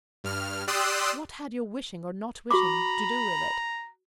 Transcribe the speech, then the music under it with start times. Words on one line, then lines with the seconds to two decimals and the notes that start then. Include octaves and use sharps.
What had your wishing or not wishing to do with it?
0.24 G2 F6
0.67 G4 D5 C6 D#6 E6 F#6
2.51 F#4 A#5 B5 C#6 D6